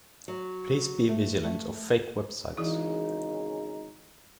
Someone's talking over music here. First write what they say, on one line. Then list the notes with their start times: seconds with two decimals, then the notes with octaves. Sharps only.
Please be vigilant of fake websites.
0.28 F#3
1.09 A3
1.43 A3
2.57 G#1 C#3 E3 D#4 E4